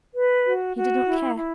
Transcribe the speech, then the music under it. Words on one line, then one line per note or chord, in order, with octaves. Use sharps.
He did not care.
B4
F#4
F#4
E4
E4